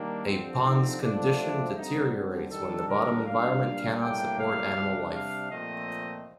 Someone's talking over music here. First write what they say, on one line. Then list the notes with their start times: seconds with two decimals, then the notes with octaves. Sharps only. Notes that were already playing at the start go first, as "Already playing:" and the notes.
A pond's condition deteriorates when the bottom environment cannot support animal life.
Already playing: D#3 G3 A#3 D4
0.26 D3 F3 C4
0.65 D#4
1.02 D3 F3 A3 C4 D4
1.76 D3 G3 C4 D#4
2.51 D#3 G3 D4 A4
2.88 A#4
3.26 A#2 G3 D4 F5
4.01 A2 G3 A#3 D4 G5
4.39 F5
4.76 C3 G3 D4
5.14 F5
5.51 A#2 F3 A3 C4 D#5